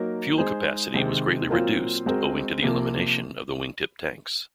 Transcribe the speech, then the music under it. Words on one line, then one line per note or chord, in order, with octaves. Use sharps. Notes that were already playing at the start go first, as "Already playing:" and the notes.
Fuel capacity was greatly reduced, owing to the elimination of the wingtip tanks.
Already playing: F#3 A#3 D#4 A#4
G#3 D#4 G#4 C5
C3 D#3 G#3 C4
A#2 F#3 C4 F4 A#4
G#3 C4 F#4 A#4
C3 F3 A#3